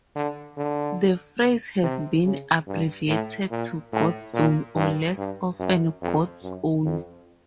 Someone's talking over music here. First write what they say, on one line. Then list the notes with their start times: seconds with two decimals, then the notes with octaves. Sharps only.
The phrase has been abbreviated to Godzone or less often Godzown.
0.16 D3
0.57 D3
1.83 C3
2.25 C#3
2.67 G2
3.08 A2
3.51 A#2
3.92 A2
4.34 A#2
4.75 G2
5.18 G2
5.59 F#2
6.02 F2
6.43 F#2
6.85 F2